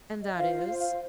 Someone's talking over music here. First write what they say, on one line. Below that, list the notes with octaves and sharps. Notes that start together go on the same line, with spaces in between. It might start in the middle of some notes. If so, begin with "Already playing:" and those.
"And that is?"
D#5
F4 C5 F5
F5